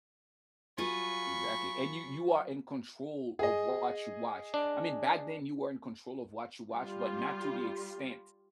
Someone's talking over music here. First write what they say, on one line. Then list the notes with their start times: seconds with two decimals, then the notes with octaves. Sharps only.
Exactly, and you you are in control of what you watch, I mean, back then you were in control of what you watch, but not to the extent,
0.78 F#3 F4 G#4 B5 C#6
3.39 G#4 D#5
4.54 D4
6.73 G3 F4